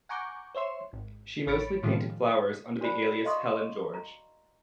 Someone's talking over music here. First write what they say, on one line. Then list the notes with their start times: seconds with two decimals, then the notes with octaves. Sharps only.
She mostly painted flowers under the alias Helen George.
0.09 F#5 G#5 A#5 C#6 D6 G6
0.55 C5 C#5 E5 C6
0.93 G#1
1.47 A1 C#5 B5 A6 C#7 D7
1.83 A2 D#3 F3 G3 G#3 F4
2.81 D4 F#4 A#4 C5 D5 B5
3.25 D#5 F5 C6 C#6 D#6
3.94 A#5